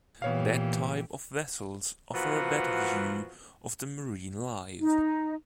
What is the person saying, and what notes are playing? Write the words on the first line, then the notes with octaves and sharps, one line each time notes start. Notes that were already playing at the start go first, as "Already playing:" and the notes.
That type of vessels offer a better view of the marine life.
A#2 E3 B3 G4 C#5 F5
A#2 E3 F3 B3 F#4
D#4